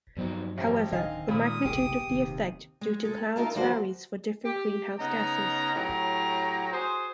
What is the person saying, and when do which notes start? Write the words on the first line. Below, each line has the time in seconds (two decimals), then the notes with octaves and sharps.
However, the magnitude of the effect due to clouds varies for different greenhouse gases.
0.17 G2 B2 F3 F#3 C4 D#4
0.58 A1 C4
0.92 D1 D3 D#3 D#5 F5 G#5
1.28 A#2 D#3 G#3 B5 D#6
1.65 F#1 C2 G#2 G4 G#4
2.08 D#1 D#2 C3
2.81 G#3
3.03 G#3 A4
3.36 D#4 F4 A#4 E5 F5 A5
3.55 D2 F3 G3 F#4 C5
4.45 G4
4.99 C#3 B3 D#4 C#5 A#5
5.75 A2 F#3 G4 A#5
6.73 F#4 G#4 C5